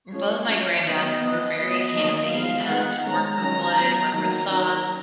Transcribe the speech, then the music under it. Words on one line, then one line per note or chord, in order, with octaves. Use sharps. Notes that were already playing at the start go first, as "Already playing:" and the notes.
both my granddads were very handy and worked with wood, worked with saws.
F3 G#3 C#4 C#5
F#3 C#4
D#3 F#3 B3 D#5
F3 B3
F#3 B3 D#5
D#3 F#3 A#3 C#4
F3 G#3 B3 F5
D#3 G#3 B3 F#5
D#3 G#3 C#4 A#5
D#3 F#3 C#4 A#5
F#3 B3
D#3 F#3 A#3 A#5
D#3 F#3 C#4